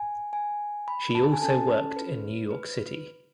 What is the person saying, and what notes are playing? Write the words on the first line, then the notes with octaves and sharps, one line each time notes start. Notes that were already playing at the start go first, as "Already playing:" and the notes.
She also worked in New York City.
Already playing: G#5
G#5
B5
A5
G#5
C#4 E4 A4 A5
B4
B4